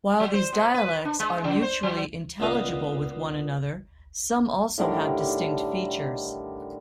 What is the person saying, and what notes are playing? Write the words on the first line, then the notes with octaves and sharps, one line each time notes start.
While these dialects are mutually intelligible with one another, some also have distinct features.
F#3
C5
B2
B4
D4
G#3
C#3
C5
F#3
C#2 A#2 B3 D#5 F5
A2 D3 D#3 G3